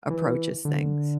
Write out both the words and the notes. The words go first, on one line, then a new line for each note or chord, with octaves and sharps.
approaches things?
E3
D3